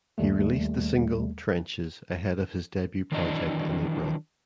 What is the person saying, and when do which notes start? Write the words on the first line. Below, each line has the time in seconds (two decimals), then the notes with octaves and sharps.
He released the single "Trenches" ahead of his debut project in April.
0.18 D#2 G3 A3
3.12 D#3 E3 F#3 D4 D#5